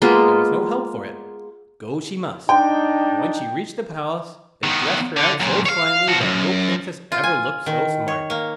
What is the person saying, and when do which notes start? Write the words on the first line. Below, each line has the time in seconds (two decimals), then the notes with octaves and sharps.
There was no help for it, go she must; and when she reached the palace, they dressed her out so finely that no princess ever looked so smart.
0.02 G#3 A#3 B3 F4
2.49 G#2 D4 D#4 G5
4.63 D#3 B3
5.17 D3
5.40 F#2 A#2
5.66 C#5 F5
6.08 F3 F#4
6.21 B1 F#2
7.12 F4
7.23 G#5
7.66 D#3
8.08 C#5
8.30 A#3